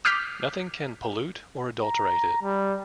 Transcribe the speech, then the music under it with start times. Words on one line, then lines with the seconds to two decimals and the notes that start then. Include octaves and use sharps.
Nothing can pollute or adulterate it.
0.05 D6 D#6 F6 G6 B6
1.83 A#5
2.42 G3